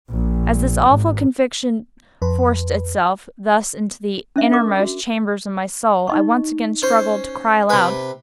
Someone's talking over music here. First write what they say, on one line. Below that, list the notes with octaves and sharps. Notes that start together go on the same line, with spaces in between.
As this awful conviction forced itself, thus, into the innermost chambers of my soul, I once again struggled to cry aloud.
A#1
G#1
F2 B4
C#4 D4 E5
A#4 D6
F#4
D#4 D#5 C#6
C#4 C5
C3 B4